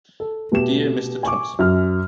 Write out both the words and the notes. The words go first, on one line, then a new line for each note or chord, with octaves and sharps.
Dear Mr Thompson.
A4
B2 A3 G4 E7
G#5 C#6 D6
F#2 F6